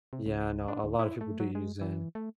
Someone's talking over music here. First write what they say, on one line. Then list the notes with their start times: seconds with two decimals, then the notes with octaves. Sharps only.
Yeah. I know. A lotta people do use Zen.
0.13 C3
0.26 C#2
0.68 D4
0.84 D2
0.99 E4
1.21 A3
1.40 F#3
1.55 G#3
1.81 E3
2.15 A3